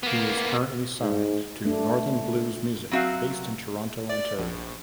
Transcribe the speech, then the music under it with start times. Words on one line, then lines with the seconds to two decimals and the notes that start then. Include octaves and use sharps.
He is currently signed to NorthernBlues Music, based in Toronto, Ontario.
0.03 A#3 B3
1.00 G#2
1.65 A3 D4
2.91 F#3 C4 F#4 E5 F5
4.09 D5
4.38 A#1